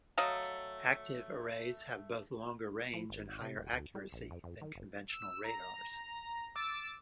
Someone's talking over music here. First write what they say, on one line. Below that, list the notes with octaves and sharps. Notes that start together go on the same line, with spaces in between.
Active arrays have both longer range and higher accuracy than conventional radars.
F#3 A3 D#5 F5
F3
G#1
C3
D#1
D2
G3
A#1
F2
F2
D#3
F#1
E6
A#5
D6 E6 A6